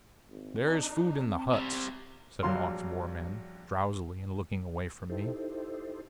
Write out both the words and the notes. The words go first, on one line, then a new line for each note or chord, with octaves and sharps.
"There is food in the huts," said an Ox-boar-man, drowsily, and looking away from me.
G#1
D4 D#4
C4
E2 C3 G3
A#1 G2 F#3 F5 C6
D#4 E4 G4 A4 C5